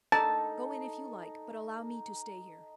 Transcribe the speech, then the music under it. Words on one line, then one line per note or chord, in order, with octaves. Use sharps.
"Go in, if you like, but allow me to stay here."
D#4 A4 A5